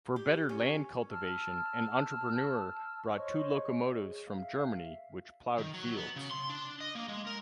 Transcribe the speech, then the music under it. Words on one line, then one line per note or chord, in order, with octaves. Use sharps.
For better land cultivation an entrepreneur brought two locomotives from Germany which plowed fields.
G4
C#4
A5 E6 F6
C5 C#5 D#5 C#6
C5
G#4
E5 F5
D#3
F#3
B3
C#3
C6
D4
D#5
A#3
G#3
A#4